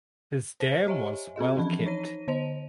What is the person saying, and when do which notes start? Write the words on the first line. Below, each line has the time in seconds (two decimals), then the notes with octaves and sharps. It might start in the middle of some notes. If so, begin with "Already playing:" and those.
His dam was Well Kept.
0.60 C5
0.87 G4 C#5 D#5 E5 G#5
1.36 C4 F#4 G#4 D#5
1.57 E3 F3 A5 B5
1.86 D#4 C#5 A#6 D#7
2.28 D3 C5 D#5 D#7 F7